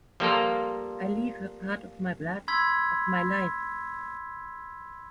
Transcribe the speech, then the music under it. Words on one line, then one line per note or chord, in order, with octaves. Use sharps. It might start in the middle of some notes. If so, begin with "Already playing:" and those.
I leave her part of my blood, of my life.
F3 G3 A#3 F4 A4 A#4
B5 C6 E6 G#6 B6